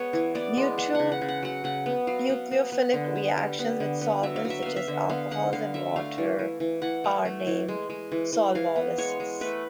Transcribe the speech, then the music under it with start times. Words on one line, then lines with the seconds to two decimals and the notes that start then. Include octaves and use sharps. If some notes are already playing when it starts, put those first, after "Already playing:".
Neutral nucleophilic reactions with solvents such as alcohols and water are named solvolysis.
Already playing: G#3 B3 C#5
0.13 E3
0.35 B3 D5
0.57 G#3
0.78 B3 F#5
0.95 C#3 F#5
1.12 F#5
1.21 C#3
1.28 F#5
1.43 F#3 F#5
1.64 C#3 F#5
1.86 B3
2.07 F#3 F5
2.29 B3
2.51 B3
2.72 B3
2.94 D3
3.16 B3
3.37 G3
3.59 B3
3.80 D3
4.01 B3
4.23 F#3 E5
4.36 F5
4.45 F#3
4.50 E5
4.62 B3 F5
4.76 E5
4.88 D3
5.10 B3 F5
5.31 D3 F#5
5.53 D3 F5
5.74 F#3 E5
5.96 A3 F5
6.18 E3
6.39 E3
6.60 E3
6.82 E3 F#5
7.04 A3
7.25 A3
7.47 E3
7.68 G#3
7.90 G#3
8.12 E3
8.33 E3
8.55 E3 F5
8.76 B3
8.98 G#3 C#5
9.20 G#3
9.41 A3 B4